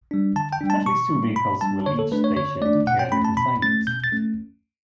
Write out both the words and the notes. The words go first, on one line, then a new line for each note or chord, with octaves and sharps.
At least two vehicles will each station to clear the consignments.
G3 D4
D3 A5
G5
G3 D4
A5
B2 C#6
G3 D4
B2 B5
G3 D4 A5
D3 C#5
A4
A3 D4 B4
C#5
D3 C#5
A3 D4 D5
B2 F#5
G5
A3 C#4 B5
A5
B2 B5
A3 C#4 A6
B2 G6
A6
A3 C#4